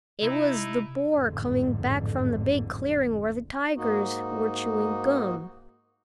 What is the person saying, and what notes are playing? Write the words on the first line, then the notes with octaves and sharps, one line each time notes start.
It was the boar coming back from the big clearing where the tigers were chewing gum.
C3 D#4 E4
A1 F2 G#2 D3
G#2 A#3 D#4 F#4